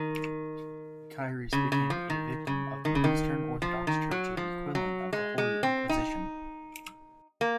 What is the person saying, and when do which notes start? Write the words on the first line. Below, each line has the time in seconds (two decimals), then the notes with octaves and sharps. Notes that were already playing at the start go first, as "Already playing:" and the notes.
Kairis became a victim of the Eastern Orthodox Church's equivalent of the Holy Inquisition.
Already playing: D#3
1.53 C#3
1.72 C#3
1.90 F3
2.10 D#3
2.47 C#3
2.85 D#3
2.95 C#3
3.04 D#3
3.62 F3
3.87 D#3
4.11 F#3
4.37 F3
4.75 F#3
5.13 G#3
5.38 G#3
5.63 C4
5.89 D#4
7.41 A#3